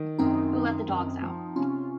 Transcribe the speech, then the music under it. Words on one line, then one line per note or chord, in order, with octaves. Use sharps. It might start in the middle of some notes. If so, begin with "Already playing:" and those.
Who Let the Dogs Out?
Already playing: D#3
F#2 C4 D#4
D#3
F#2
F3
C3 C#4 F4